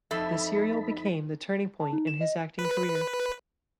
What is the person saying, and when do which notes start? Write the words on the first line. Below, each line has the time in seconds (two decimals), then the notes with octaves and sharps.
The serial became the turning point in his acting career.
0.11 F2 D#4 A4 E5 B5
1.80 A5
1.93 D#4
2.07 E7
2.21 D#5
2.59 B4